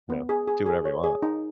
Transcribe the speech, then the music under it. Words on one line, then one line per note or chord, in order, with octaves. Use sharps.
you know, do whatever you want.
B3
G#4
G#4
G#4
C#5
G#4
D#4